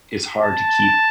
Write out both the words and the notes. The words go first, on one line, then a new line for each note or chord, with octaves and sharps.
it's hard to keep
A5